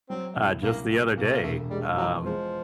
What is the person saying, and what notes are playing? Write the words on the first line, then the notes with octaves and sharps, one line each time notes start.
uh, just the other day, um,
F#3 C4
C2
C2 A#3
A#2
B2 A#3
A3
A#3
E1 A3
G3 G#3
E2 F#3
F3 G#3